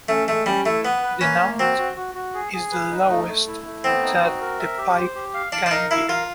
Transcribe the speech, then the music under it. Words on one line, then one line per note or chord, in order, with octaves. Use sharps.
The note is the lowest that the pipe can give.
A3 C#4
G#3 A3
G3 C#4
A3 E4
B3 B4
B4
A#3 C#4
A#3
C4 F#4
F#4
F#4
F#4
G#4
G#4
B4
D#4
A3
A3
E4
A3
B3 C4
D#4
F#4
A#4
E5
G4
C5
G4
F5
D4 F5
D4
D#4 A#4
E4 F5
F4 A#4